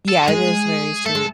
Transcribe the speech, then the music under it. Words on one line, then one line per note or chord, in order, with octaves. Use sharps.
Yeah, it is very sweet.
A4
F#4
G#3 G#4
A3 A4
G#3